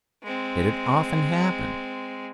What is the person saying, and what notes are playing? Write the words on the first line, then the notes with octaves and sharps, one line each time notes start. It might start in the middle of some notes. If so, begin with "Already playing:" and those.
Did it often happen?
G#3 C4